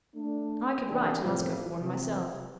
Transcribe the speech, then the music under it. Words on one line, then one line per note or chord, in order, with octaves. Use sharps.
"I could write and ask her for one myself."
A3 D4
C3 E3 A#3 D4 F#4 G4
E2 A2 C3 F3
C3 E3